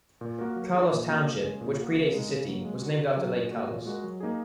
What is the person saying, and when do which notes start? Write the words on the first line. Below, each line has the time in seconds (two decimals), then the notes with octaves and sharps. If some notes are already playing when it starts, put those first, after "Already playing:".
Carlos Township, which predates the city, was named after Lake Carlos.
0.21 A#2
0.39 A#3 F#4 A#4
0.56 F#3
0.74 D#4 G#4
0.91 A#2
1.09 A#3 C#4 F#4 A#4
1.25 C#3
1.43 G#3 C#4 G#4
1.61 A#2
1.78 A#3 F#4
1.95 C#3
2.13 G#3 D#4 A#4
2.29 C#3
2.47 F#3 A#3
2.65 G#3
2.82 F#4 A#4
2.99 C#3
3.17 F#3 C#4 G#4
3.34 A#2
3.51 A#3 F#4
3.68 A#2
3.85 G#3 F#4 A#4
4.04 F#3
4.20 A#3 D#4 G#4